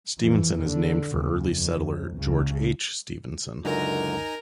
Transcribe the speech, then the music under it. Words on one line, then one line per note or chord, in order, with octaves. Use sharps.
Stevenson is named for early settler George H. Stevenson.
F2 E3
D3
D#2 C#3
F2
C#2 C#3
C#2 F#2 D3 D#4 A#4 G#5 A#5